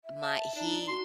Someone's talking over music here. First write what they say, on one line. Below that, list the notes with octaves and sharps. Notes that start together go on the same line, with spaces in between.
My he
E5
A5
D4 D#4
F#4 C6